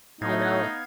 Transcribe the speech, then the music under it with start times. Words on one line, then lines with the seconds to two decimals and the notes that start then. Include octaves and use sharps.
You know
0.21 A2 A3 B3 D#4 F5 G#6